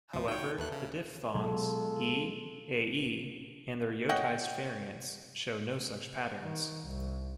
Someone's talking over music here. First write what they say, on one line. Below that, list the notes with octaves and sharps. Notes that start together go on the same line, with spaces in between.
However, the diphthongs "e, ae" and their yotized variants show no such patterns.
C#2 G#2 B2 F3
D#4 F#4 C#5 G5
D#2 A4 B4 E5 F#6
C#3
B2 F#3 G#3 F4 A4
C#5 D#5 F#5 G5
D#3
C2